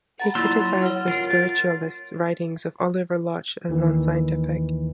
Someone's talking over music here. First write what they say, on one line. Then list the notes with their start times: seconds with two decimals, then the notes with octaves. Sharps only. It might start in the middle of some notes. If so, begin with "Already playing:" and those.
He criticised the spiritualist writings of Oliver Lodge as non-scientific.
0.20 F#5 A#5 B5 A6
0.35 F#3 A#3 E4 F4 C6 E6
0.82 C#5 F#5 F6
1.08 F4 A#4 C7
1.27 A6
3.69 D#2 D#3 E3